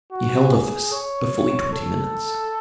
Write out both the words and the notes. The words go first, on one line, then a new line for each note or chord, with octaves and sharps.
He held office for fully twenty minutes.
F#4
G#4
C#5
A4